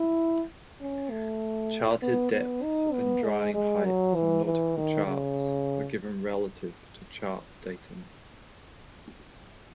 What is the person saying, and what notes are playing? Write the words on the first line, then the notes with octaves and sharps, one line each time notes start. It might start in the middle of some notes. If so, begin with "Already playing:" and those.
Charted depths and drying heights on nautical charts are given relative to chart datum.
Already playing: E4
C#4
A3
B3
B3
D#4
B3
G#3
G#3
F#3
E3
E3
D#3
C#3